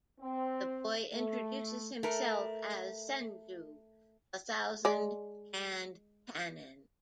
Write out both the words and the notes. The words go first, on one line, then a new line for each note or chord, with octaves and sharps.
The boy introduces himself as Senju, the Thousand-Hand Kannon.
C4
A3
A3 A#4
G#3 D5